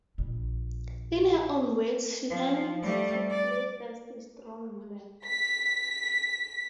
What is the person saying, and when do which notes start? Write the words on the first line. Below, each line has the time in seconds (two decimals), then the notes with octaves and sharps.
In her own words, she tends to play "feisty, strong women".
0.18 A#1
2.30 F3
2.82 G3 A3
3.30 D5
5.25 B6